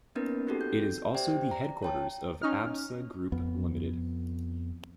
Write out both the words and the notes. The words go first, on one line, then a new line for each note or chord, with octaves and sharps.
It is also the headquarters of Absa Group Limited.
A#3 B3 C#4 D#4 A#4 B4
C4 D#4 F#4 G4 A4
G6
G4 C5 D5 E5 G5
A#5
C#5 G5 A5
C#4 D#4 F6
F2 B3